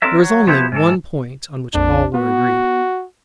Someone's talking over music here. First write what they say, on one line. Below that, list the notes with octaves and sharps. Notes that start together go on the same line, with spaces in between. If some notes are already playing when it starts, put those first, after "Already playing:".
There was only one point on which all were agreed.
C4 D4 A4 A#4 E5
F#3
F3 B3 E4 G4 A4
G#2 E3 A4
A#1 F2 D4
B3 F#4